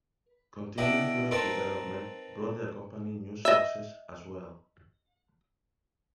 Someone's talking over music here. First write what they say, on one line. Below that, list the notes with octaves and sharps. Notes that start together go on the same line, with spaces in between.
Continuing product development brought the company new successes as w ell.
B3 D4 E4 G4 D#5 E5
C4 D#4 A#4 B4 A5 C6
D#5 E5